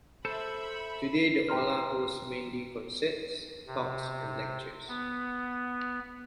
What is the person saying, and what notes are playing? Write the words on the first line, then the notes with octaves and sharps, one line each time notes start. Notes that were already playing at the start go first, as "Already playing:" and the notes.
Today, the Aula hosts mainly concerts, talks and lectures.
A4 C5 E5 A5 B5
B4 G5 A#5 C6 F6
C3
B3